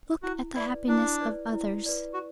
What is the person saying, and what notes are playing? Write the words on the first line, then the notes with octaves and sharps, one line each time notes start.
"Look at the happiness of others."
E4 F#4
E4 B4 D5
D4 E4
B4 D5
E4
B4 D5
F#4